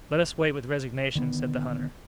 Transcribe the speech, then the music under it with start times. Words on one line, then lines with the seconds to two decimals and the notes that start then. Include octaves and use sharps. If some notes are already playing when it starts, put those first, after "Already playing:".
"Let us wait with resignation," said the hunter.
1.15 D3 D#3 A3 B3